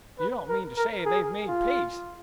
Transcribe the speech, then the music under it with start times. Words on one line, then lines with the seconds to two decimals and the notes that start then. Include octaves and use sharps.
"You don't mean to say they've made peace?"
0.19 B4
0.48 A#4
0.76 A#4
1.05 G#4
1.48 F4